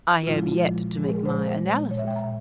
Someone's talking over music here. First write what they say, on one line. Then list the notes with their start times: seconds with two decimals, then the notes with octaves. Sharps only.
"I have yet to make my analysis."
0.23 E4
0.27 A#2 F3 G#3 F4
0.60 A#2 F3 G#3
0.93 A#2 F3 G#3
1.04 G#4
1.09 A#4
1.25 A#2 F3 G#3 C5
1.59 A#2 G#3
1.91 A#2 G#3 C#5
1.99 E5
2.07 G5
2.16 A#5
2.24 A#2